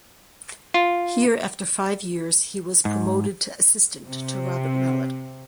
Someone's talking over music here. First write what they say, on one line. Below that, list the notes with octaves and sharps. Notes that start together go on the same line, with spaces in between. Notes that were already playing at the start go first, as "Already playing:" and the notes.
Here after five years he was promoted to Assistant to Robert Mallet.
F4
G#2
C3